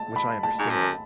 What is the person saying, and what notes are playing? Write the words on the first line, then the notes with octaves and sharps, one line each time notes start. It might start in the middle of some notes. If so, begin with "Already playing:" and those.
which I understand.
Already playing: A5
B5
A5
G#2
F#2